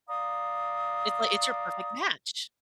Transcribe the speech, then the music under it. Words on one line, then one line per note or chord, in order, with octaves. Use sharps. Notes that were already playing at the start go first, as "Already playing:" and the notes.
It's like it's your perfect match!
D5 F5 A#5 D#6